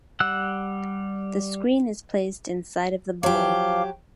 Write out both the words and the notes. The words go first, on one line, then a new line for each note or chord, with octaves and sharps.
The screen is placed inside of the bowl.
G3 F#5 E6 F#6
F3 F#3 G4 F5 D6